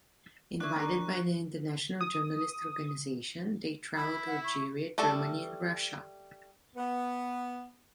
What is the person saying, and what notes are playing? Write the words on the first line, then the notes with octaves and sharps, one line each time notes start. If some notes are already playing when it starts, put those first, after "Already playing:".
Invited by the International Journalists Organization, they travelled to Algeria, Germany and Russia.
D4 E4 C#6 F#6
D4 A#4
D#6
E4 B5
F#5
C#6
G3 A3 A4
B3